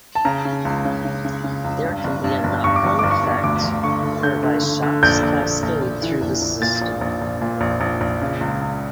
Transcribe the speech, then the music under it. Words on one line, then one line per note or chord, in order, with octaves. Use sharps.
There can be a knock-on effect, whereby shocks cascade through the system.
A5
C#3 A#5
C#3
C#2
C#3
C#3
C#3
C#3
C#2
G2
G1
G2
G1
G2 C#6
D6
G1 C#6
G1 D6
C#6
G2
D2 D6
D2
D3 C#6
D3
D3 G6
D3
D3
D3
A#1 G6
A#1
A#1
A#1
A#1
E3
A#1
A#1
A#2 A6
A#1
A#1
A#1
A#2
A#1
A#1
A#1
C#3
C#2
C#2